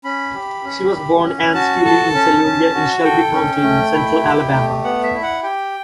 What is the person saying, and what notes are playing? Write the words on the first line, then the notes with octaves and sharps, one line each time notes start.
She was born Ann Steely in Siluria in Shelby County in central Alabama.
C#4 B5
G4
C#4
G4
C#4
F#4 A5
A4 A5
C#4
C#4
F#4
A4 G5
C#4
A3
E4
G4
A3
B3 F#5
E5
E4
F#5
G4 G5